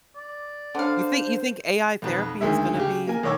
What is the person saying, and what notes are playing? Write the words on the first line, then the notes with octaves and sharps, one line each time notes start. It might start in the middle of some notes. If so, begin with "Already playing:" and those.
You thi you think AI therapy is gonna be
D5
D3 C5 F5
B1 F2 B4
D2 D#3 G#3 E5
C#3 G4
A#3 G#5
B1 D#3 C#5 D6 E6